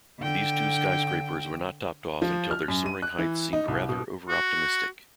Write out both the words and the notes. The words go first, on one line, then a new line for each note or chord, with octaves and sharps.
These two skyscrapers were not topped off until their soaring heights seemed rather overoptimistic.
D3 G5
F3
F6
F#2
D#7
F#6
E3
D#4
C2
B2
F#4